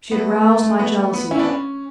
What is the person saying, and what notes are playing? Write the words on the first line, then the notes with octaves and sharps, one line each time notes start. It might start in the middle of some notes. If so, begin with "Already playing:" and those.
She had roused my jealousy.
A3 B3
B3
B3
C#4 E4
B3 D4
C#4